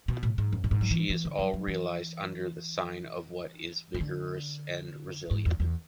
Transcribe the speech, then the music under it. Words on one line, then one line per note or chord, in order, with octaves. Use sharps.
She is all realized under the sign of what is vigorous and resilient.
B2
A2
G#2
F#2
A2
G#2
F#3
E3
E3
D3
F#3
F#3
E3
E3
D3
G#2
E2
E2